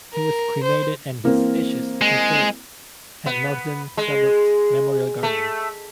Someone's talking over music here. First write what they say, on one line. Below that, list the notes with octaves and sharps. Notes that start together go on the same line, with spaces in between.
He was cremated and his ashes interred at Northern Suburbs Memorial Gardens.
A#4
C5
E3 A#3 C4
G#3
B3
G#3
A3